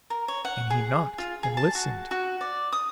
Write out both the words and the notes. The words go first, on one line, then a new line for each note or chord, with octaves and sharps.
And he knocked and listened.
A#4
C#5
F#5
G#4
F4
G#4
A5
F#4
F#4
D5
D#6